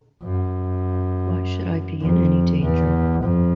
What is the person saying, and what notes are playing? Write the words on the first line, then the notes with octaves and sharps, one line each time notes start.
Why should I be in any danger?
F#2
F2
E2
F2